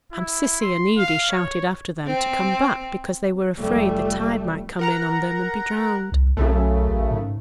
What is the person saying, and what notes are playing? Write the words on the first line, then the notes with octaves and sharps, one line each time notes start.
And Cissy and Edy shouted after them to come back because they were afraid the tide might come in on them and be drowned.
E4
C6
F5
C#5
C4
F1 G3 A3
A#4 F#5 A#5
C2
B1 F#2 C#3 A3
A1
G#2